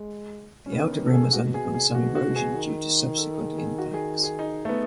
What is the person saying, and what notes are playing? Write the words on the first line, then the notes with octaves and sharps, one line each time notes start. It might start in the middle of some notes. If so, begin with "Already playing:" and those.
The outer rim has undergone some erosion due to subsequent impacts.
Already playing: G#3
C#4
D#3 B3
D#4
A4
G#4
B2 F#4
G#4
G#4
B2 F#4
F#4
B2
G#4
D#3
A4
G#4
G#4
F#4
G#4
G#4
D#4
A3
B3